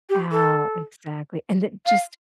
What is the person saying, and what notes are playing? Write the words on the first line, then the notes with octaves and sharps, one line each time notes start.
Oh. Exactly. And then just
G4
A4
F5